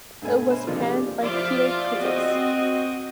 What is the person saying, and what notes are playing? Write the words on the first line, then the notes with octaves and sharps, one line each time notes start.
It was panned by theatre critics.
G2 B2 A3 G#5
B4 C5
C3 F3 G#3 A#3 D4 F4
G4
F3 F4 D5 E5
C4 F#4 D#5